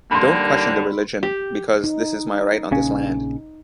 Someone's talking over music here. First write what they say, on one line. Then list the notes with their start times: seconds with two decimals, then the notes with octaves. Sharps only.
Don't question the religion because this is my right on this land.
0.11 D#2 D3 G3 A#3 B5 C6
1.23 G4
1.84 D#4
2.71 A#1 C#3 C#4